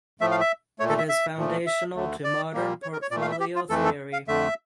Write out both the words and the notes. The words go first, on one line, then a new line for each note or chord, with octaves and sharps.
It is foundational to Modern portfolio theory.
A2 F3 A3 E5
F5
E5
A#2 A3 C#5
A4
E5
E5
A#2 F3 A3
E5
D2 D3 A3
D5
A#2 G3 A#3
C#5
A#4
C#5
A#2 A3 D5
F5
E5
G4
F4
F2 E3 A3 A4
A4
F5
F2 D3 A3 E5